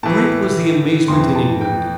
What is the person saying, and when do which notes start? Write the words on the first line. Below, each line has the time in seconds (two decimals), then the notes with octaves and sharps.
Great was the amazement in England.
0.03 A2 E3 A5
1.08 F2 E3 C6
1.36 A5
1.61 G5